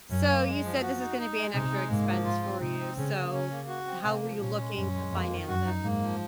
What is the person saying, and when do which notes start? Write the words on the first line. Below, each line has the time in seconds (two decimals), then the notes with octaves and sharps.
So you said this is gonna be an extra expense for you, so how were you looking to finance it?
0.10 F#2 C#4
0.28 A#3
0.46 G#3
0.64 F3
0.82 F#4
1.00 D#4
1.18 D#4
1.35 G#3
1.54 C3 D#4
1.71 G#3
1.89 G#2 A#3
2.07 F3
2.25 G#2 F4
2.43 C4
2.60 C3 D#4
2.79 C4
2.97 C#3 C#4
3.15 A#3
3.33 C#3 C#4
3.50 A#3
3.68 F#4
3.86 C4
4.04 C3 A#3
4.22 F3
4.39 A#2 C#4
4.58 G#3
4.76 F#2 C#4
4.94 G#3
5.11 F2 A#3
5.30 D#3
5.48 F#2 F#4
5.65 D#4
5.83 G#2 A#3
6.02 F3